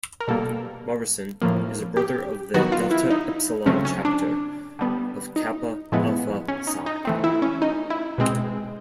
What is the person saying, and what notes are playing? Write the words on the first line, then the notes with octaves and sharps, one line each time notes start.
Morrison is a brother of the Delta Epsilon chapter of Kappa Alpha Psi.
A#4
B2 G3 A#3 A4
A2 F3 A#3
G4
D#3 F#3 B3 F#4
F4
E4
D#4
C#3 F#3 A3 C4 C#4
C#4
D4
D3 G3 B3
D#4
A2 F3 G#3 B3 E4
C#4
D#4
D#4
E3 A3 C4
E4
C#4
D#4
E4
B2 G#3 C4